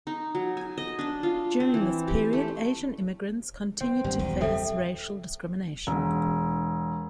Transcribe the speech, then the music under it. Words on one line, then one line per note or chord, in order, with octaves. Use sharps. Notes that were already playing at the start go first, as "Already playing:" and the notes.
During this period, Asian immigrants continued to face racial discrimination.
D#4
F#3
G#5
D#5
D4
F4
C4
E3
G4
A3
C4
G#1 G2
E1 B1
F#1 G3 A4 E5 G5
E1